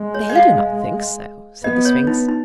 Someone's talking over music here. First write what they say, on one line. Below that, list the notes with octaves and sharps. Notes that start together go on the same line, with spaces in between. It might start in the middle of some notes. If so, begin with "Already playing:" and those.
"They do not think so," said the Sphinx.
Already playing: G#3
C#5
D#5
F5
B3 D#5
C#5
D#4
D#4